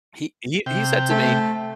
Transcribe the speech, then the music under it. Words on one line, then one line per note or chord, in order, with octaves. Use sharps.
he he he said to me,
C3 G5
A3